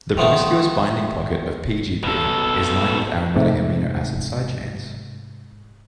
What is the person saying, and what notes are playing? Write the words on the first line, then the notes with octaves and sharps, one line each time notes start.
The promiscuous binding pocket of P-gp is lined with aromatic amino acid side chains.
D#3 F3 A3 B3 D#4
B2 A4
G#2 C3 A3